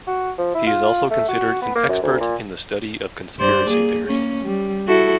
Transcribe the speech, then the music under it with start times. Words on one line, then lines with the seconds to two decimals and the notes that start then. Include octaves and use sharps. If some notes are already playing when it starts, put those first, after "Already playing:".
He is considered an expert in the study of conspiracy theory.
0.07 F#4
0.38 F3
0.55 E4
0.66 F4
1.11 A3
1.28 F#4
1.62 B3
1.75 A#3
1.89 F#2
2.03 D2
2.20 A#2
3.39 G2 C5 D5
3.69 A#3 G#4
4.07 A#3 C#4
4.44 G3
4.87 E4 F#4 A4